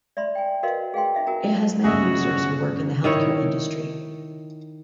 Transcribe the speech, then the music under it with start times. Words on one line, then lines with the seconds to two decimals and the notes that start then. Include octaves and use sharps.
It has many users who work in the healthcare industry.
0.17 D5 E5 B5 C6
0.35 G5 G#5
0.63 F#4 A#4 B4 D#5 F5 C6
0.94 G#4 F5 G5 C6
1.15 D#4 E5 F5
1.27 F#4 A#4 G#5 A#5
1.84 G1 C#3 F#4 G#4 D#5 E5
3.04 D#3 E4 C#5